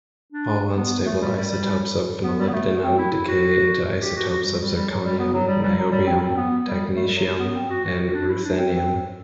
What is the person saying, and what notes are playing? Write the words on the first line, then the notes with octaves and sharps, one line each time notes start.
All unstable isotopes of molybdenum decay into isotopes of zirconium, niobium, technetium, and ruthenium.
D4
B3
A3
G3
G3
G3
B3
G3
B3
A3
C4
E4
E4
F#4
G4
F#4
F#4
G3
G3
G3
F#3
G3
B3
F#3
G3
G3
F#3
G3
C4
C4
B3
G3
A3
G3
F#3
G3
B3
C4
F#4
F#4
F#4
D4
E4
D4
C4
C4